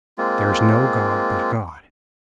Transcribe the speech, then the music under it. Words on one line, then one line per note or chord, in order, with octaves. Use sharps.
There is no god but God.
G#3 A#3 C4 F4